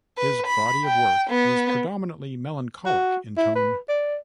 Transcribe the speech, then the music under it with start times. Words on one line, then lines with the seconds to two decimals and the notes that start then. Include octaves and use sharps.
His body of work is predominantly melancholic in tone.
0.18 B4
0.46 B5
0.85 G5
1.30 B3
2.86 F#4
3.37 E4
3.55 B4
3.89 D5